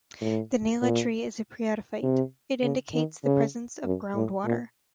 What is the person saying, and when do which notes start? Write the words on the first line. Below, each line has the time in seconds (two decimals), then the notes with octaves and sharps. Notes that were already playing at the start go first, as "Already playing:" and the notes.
The nyala tree is a phreatophyte - it indicates the presence of ground water.
0.21 A2
0.82 A#2
2.03 C3
2.63 C#3
2.93 D#3
3.24 C#3
3.85 F#2
4.15 A2
4.45 A#2